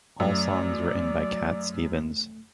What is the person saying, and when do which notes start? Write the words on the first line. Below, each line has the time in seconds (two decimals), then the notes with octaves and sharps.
All songs written by Cat Stevens.
0.20 F#2 A3 D5